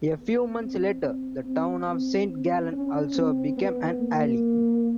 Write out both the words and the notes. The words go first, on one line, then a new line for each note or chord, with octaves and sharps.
A few months later, the town of Saint Gallen also became an ally.
B3
C4
C4
C4
C4
C4
C#4
C4
B3
A#3